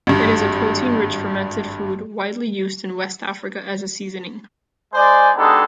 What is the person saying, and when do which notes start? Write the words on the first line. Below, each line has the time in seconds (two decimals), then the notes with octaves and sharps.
It is a protein-rich fermented food widely used in West Africa as a seasoning.
0.07 G#1 G2
4.94 G#3 C5 D5 G#5
5.36 G#3 B3 D4 D#4 G4 A4